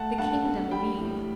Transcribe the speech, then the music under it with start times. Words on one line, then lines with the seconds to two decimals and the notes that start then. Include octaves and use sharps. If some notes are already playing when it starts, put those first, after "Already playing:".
The kingdom of Eve.
Already playing: A3 F#5 A5
0.18 G2 F#5 A5
0.44 G2
0.71 G3 G5 B5
0.97 A2